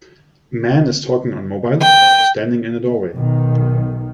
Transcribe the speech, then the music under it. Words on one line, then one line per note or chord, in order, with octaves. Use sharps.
Man is talking on mobile, standing in a doorway.
G5
B1 D#3